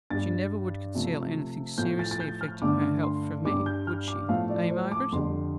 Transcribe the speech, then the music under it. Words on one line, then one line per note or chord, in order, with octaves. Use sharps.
She never would conceal anything seriously affecting her health from me: would she, eh, Margaret?
G2 G3 A6
C3 F3 A3
A2 F3 A3 G6
A6
A6
G6
F6
G2 D3 A3 D6
C6
G2 G3 D6
G6
F6
D6
A2 F3 A3 F5
D5
C5
D6
F2 D3 G3 C6